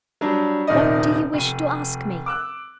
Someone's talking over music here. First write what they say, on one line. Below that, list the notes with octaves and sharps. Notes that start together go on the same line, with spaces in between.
"What do you wish to ask me?"
F#3 G3 D4
D#1 C3 D#3 D5 D#5
F1 D#7
D6 E6 F#6